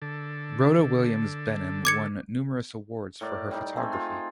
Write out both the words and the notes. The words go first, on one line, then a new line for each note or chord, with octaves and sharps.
Rhoda Williams Benham won numerous awards for her photography.
D3 A4
D6 G#6 C#7
A2 A#4 D5
G3 D#4
A3 C4 G#4
F4